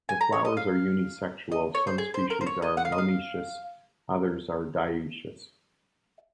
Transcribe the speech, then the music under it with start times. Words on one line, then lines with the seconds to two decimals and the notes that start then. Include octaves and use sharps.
The flowers are unisexual, some species are monoecious, others dioecious.
0.09 G#5
0.21 A#5
0.33 C#5
0.45 D#5
0.57 F5
1.52 D#5
1.75 C#5
1.87 C5
1.98 G#4
2.14 C5
2.30 A#4
2.41 C5
2.47 C#5
2.62 D#5
2.77 F#5
2.85 F5
2.92 D#5
2.98 F5